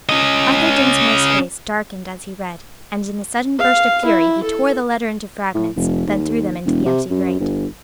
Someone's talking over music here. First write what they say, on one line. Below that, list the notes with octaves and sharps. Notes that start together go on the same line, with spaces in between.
Arthur Dinsmore's face darkened as he read, and in a sudden burst of fury he tore the letter into fragments, then threw them into the empty grate.
C#4 D#5
F5
E4
A4
A2
F1
D#2
E1
C3
F#2
G1